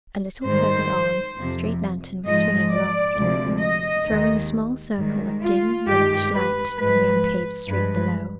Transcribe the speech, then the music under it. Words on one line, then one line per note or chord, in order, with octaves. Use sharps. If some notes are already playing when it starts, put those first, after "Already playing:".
A little further on a street lanthorn was swinging aloft, throwing a small circle of dim, yellowish light on the unpaved street below.
G#2 D#3 G3 C5
F2 C3 F3
G#2 F3 G#3 D#5
D5
D2 C3 F3 G#3
D#5
D#2 D#3 G#3
G#2 D#3 G3
F4
G2 D#3 G#3 G4
B4
G#2 F3 G#3 B4
G2 F3 G#3 B4